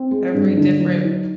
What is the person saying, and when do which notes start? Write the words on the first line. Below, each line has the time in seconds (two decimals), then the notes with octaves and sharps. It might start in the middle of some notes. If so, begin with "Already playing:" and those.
every different
Already playing: C4
0.11 G#3
0.34 G2
0.57 D3
0.80 F#3
1.04 D#4